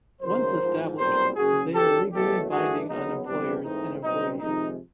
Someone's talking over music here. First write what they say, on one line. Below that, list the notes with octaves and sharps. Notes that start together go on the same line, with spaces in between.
Once established, they are legally binding on employers and employees.
D#2 C#3 F#3 A#4 C5
A1 G#2 F3
B1 A#2 G3 C4 A#4 C5
F#1 F#2 C#3 F#4 G#4
F#1 F#2 D3 G4 A4
F#1 E2 B2 F#3 A3 G4 A4
G2 E3 A3 D4 F#4 G#4
D#2 C#3 F#3 B3 D#4
F2 C3 E3 G3 B3 D4
G#2 E3 A3 C4 D#4
B1 B2 G3 C4 D#4
F2 C3 D#3 G#3 D#4